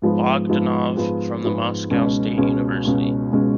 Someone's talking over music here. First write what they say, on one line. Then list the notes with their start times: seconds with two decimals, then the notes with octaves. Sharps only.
Bogdanov, from the Moscow State University.
0.02 G#2 F3 G#3 B3
0.49 G#2 F3 G#3 B3
0.97 G#2 F3 G#3 B3
1.44 G#2 F3 G#3 B3
1.91 C#2 B2 G#3 C#4
2.37 C#2 B2 G#3 C#4
2.85 C#2 B2 G#3 C#4
3.31 C#2 B2 G#3 C#4